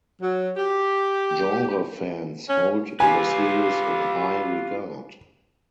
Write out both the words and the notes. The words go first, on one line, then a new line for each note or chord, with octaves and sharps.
Genre fans hold the series in high regard.
F#3
G4
C#4
F4 G4 B4 G#5